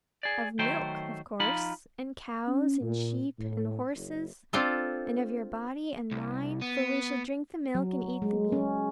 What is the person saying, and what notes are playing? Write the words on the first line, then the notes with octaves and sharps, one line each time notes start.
Of milk of course, and cows, and sheep, and horses; and of your body and mine--for we shall drink the milk and eat the meat.
G#4 D5
D#3 F#3 A3 C5 G5
F3 D#4 F4 B5
C#4
A#2
A2
F#1
C4 D4 F4 A4
C2
B3
F#3
G#3
C#4